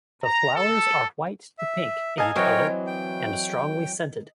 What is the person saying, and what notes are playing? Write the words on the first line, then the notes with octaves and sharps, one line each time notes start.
The flowers are white to pink in colour, and strongly scented.
A#5
A4
E5
A4 D#5 F5 G#5 A#5
E3 F#3 C4 A#4 C#5 G5
G5